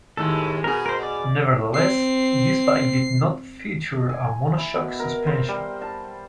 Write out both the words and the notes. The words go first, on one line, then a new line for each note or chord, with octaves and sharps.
Nevertheless, this bike did not feature a mono-shock suspension.
D#2 A2 G#3 A4
B2 G#4 A#4
A#4 C5
D5
C4 C7
G#5
E4
B2
A#4
C5
G3
A5